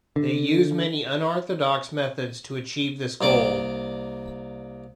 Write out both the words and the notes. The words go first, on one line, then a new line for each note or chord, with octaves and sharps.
They use many unorthodox methods to achieve this goal.
D3
C2 A#3 D5 D6